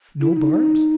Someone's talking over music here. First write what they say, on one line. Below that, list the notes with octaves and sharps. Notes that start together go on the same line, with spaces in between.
"No barbs?"
E4
E4
D#4